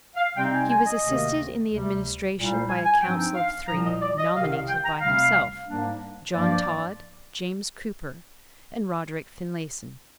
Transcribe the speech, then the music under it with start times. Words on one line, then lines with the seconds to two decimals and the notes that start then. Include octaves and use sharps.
He was assisted in the administration by a council of three, nominated by himself--John Tod, James Cooper, and Roderick Finlayson.
0.15 F5
0.36 C3 G3 C4 D#4 G5
0.54 G#5
0.70 G#5
0.86 D#5
1.03 D2 C3 D#3 A#3
1.69 D2 C3 G3
2.36 C2 A#2 G3
2.52 C5
2.69 G#5
2.85 G#5
3.01 G2 F3 C4 D#4 G5
3.35 F5
3.68 C2 A#2 F3 A#5
3.85 D#5
4.01 D5
4.18 D#5
4.35 C2 C3 D#3 F5
4.51 F5
4.68 G5
4.84 A#5
5.01 D2 C3 G3 C4 F5
5.67 G#2 G3 A#3 D4
6.33 G2 F3 A#3 D5